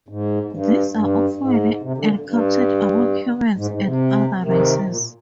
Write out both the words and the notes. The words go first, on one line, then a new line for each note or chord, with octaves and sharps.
These are often encountered among humans and other races.
G#2
G2
G2
G#2
C3
A#2 D3
G2
G#2
G#2
C3
C3 D#3
A#2